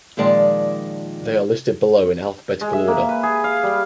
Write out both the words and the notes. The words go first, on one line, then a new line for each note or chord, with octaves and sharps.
They are listed below in alphabetical order.
A#2 D#3 F3 G#3 D5 A5
G#3
E5
A#3
B4
G#4
F5
G3